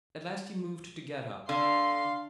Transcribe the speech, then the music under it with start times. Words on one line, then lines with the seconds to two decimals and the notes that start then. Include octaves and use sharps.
At last he moved to get up.
1.49 D3 F5 C6